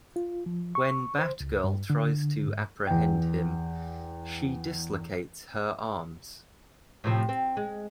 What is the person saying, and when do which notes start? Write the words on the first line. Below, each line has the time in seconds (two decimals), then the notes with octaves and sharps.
When Batgirl tries to apprehend him, she dislocates her arms.
0.16 F4
0.46 F3
0.75 C#6
1.19 C5
1.40 C#2
1.64 G2
1.90 D3
2.47 G#2
2.87 E2 G5
7.04 A2 C3 F3
7.29 C4
7.57 G#3